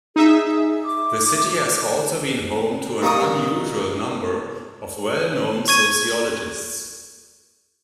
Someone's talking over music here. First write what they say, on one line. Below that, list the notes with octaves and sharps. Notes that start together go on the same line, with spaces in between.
The city has also been home to an unusual number of well-known sociologists.
D#4 G#4 E5
D6
G2 A#3 D#4 A#4 C#6 D#6
C#6 G#6 D#7